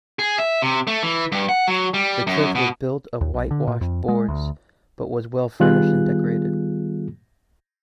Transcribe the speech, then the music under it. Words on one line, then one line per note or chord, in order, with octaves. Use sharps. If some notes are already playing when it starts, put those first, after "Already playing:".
The church was built of whitewashed boards but was well furnished and decorated.
G#4
E5
C3
A3
E3
G2
F#5
F#3
G3
F#2
B2
D#2
B1
D3
A#2
F2
G#3
D2
D#3 G3 B3 F4 G#4 F#6